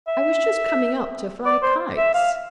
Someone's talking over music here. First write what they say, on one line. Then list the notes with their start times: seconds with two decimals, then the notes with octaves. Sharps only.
"I was just coming up to fly kites."
0.07 E5
1.45 D5
1.63 C5
1.97 E5
2.14 F5